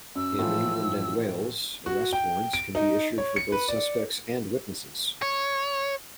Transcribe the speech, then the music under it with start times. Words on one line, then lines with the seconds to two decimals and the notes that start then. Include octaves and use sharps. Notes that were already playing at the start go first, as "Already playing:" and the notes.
In England and Wales, arrest warrants can be issued for both suspects and witnesses.
0.15 F#2 E6
0.39 A2 E3 F3
1.86 F#4
2.13 G5
2.53 D7
2.75 D#4
3.18 C#5
3.36 C#7
3.52 B4
3.68 D5
5.22 C#5